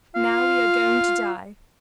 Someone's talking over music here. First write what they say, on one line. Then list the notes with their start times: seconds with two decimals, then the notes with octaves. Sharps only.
"Now we are going to die."
0.15 F4 F5